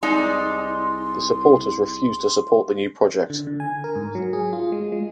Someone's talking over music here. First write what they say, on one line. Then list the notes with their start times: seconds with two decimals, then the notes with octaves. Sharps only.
The supporters refused to support the new project.
0.03 C2 G#3 D#4 D5 C6
3.30 D3
3.47 D3
3.60 G#5
3.84 A#4
3.95 G#2
4.15 F#3
4.33 G#4
4.53 F4
4.72 G#3
4.92 G#3